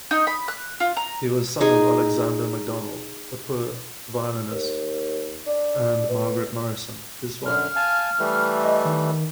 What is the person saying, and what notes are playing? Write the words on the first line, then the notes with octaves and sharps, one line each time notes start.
He was son of Alexander Macdonald, a poor violinist, and Margaret Morison, his wife.
D#4
B5
F#6
F4
A#5
D#4 G#4
D#2
D4
B2
F#2 D3 F6
F5 G#5 A5
E3 G3 A3
D#5
D#3